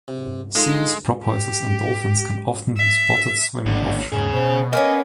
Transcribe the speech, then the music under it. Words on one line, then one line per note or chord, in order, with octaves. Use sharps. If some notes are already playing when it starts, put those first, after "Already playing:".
Seals, porpoises and dolphins can often be spotted swimming offshore.
C3
G#3 D#4 F4 A4
G4
E5
A1 D#2 D3
G#2 C#3 G#4
B2 C5
A#3 B3 C#4 D#5 G#5